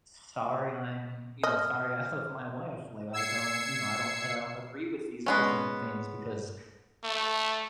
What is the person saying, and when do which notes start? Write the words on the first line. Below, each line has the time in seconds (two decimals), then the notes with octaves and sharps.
"Sorry, I'm" You know, "Sorry, I love my wife." Like, I don't you know, I don't that I don't agree with these specific things because,
1.43 D#5 F6
3.13 E6 G#6 C7 C#7
5.26 G#3 B3 C#4
7.04 A3